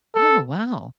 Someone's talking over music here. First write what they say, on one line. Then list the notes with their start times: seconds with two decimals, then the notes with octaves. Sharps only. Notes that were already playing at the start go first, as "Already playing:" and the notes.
Oh, wow.
0.15 A4